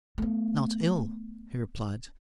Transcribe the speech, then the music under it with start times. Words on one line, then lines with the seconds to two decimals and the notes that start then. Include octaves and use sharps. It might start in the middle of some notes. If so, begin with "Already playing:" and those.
"Not ill," he replied.
0.18 A3 B3